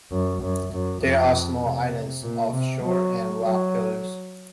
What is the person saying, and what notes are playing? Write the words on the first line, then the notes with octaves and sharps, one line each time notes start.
There are small islands off shore and rock pillars.
F#2
F#2
F#2
F2
C3
A#2
C3
F#3
F#3